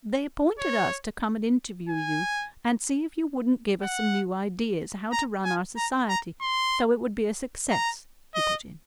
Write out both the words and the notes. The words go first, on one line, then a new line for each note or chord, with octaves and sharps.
"They appointed us to come and interview you, and see if you wouldn't give us some new ideas how to run our society so it would be a success," he put in.
C#5
G#5
F#5
A#5
G#5
A#5
A#5
C6
A#5
D#5